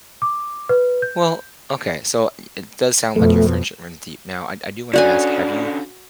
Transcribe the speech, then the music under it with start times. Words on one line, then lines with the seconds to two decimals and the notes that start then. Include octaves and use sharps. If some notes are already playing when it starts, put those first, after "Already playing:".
Well, okay. So it does sound like your friendship runs deep. Now I I do wanna ask, have you
0.22 D6
0.69 B4
1.02 G6
3.16 F2 B2 A3
4.93 D3 C#4 F#4 D5 F#5 G#5